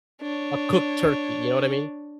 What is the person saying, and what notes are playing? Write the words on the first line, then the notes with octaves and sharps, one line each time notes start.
a cooked turkey, you know what I mean?
D4 C#5